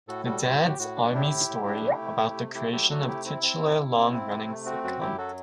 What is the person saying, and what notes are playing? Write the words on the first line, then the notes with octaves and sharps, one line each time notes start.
The Dad's Army Story, about the creation of the titular long-running sitcom.
A2 F#4 A4
G3 F#4 A4
A2 F#4
A2
G4
A2 F#4
D4
A2 E4 G4
A2
A2
D4
A3
C3
A3
C3
A3 E4 G4
F#3 E4 G4
A3 F#4 A4
C3 E4 G4
C4 E4
C4
C3
C3
C4
C4
C3
A3
C4 F#4
F#2 F#4
F#2 E4 G4
F#3 F#4 A4